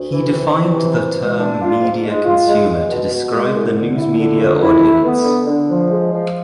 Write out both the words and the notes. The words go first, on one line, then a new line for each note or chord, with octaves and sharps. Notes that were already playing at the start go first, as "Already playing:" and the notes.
He defined the term media consumer to describe the news media audience.
Already playing: D2
E3
C3
E3
C3
E3
G#3
D4
F4
G#2
G#3
F4
G#3
G#3
B2
B2
G#3
C2
D3
E4
D3
F2
E4
A3
B3
D3
D3
F3
G#3
F3